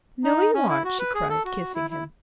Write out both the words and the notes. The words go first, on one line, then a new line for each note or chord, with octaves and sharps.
"No, you aren't," she cried, kissing him.
D#4
C#4
E4
F#4
B4
G#4
A4
F#4
E4
E4